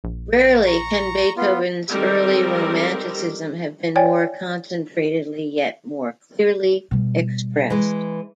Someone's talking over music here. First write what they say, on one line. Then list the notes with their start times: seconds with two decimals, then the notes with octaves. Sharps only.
Rarely can Beethoven's early romanticism have been more concentratedly yet more clearly expressed.
0.04 A#1
0.67 A#5 C#6
1.37 B3 F4
1.89 D#3 G3 G#3 C4 A4 A#4
3.96 C#5 D5 G5 G#5
6.91 B2 G3
7.70 E3 G#3